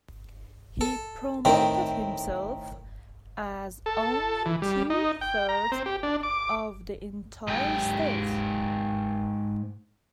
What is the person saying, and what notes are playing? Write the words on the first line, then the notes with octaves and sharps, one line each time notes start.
He promoted himself as owning two-thirds of the entire state.
A4
A2 D#3 C4
A4
E3
G3
D#4
G5
A#5
C4
G4
D4
D6
G#2 G4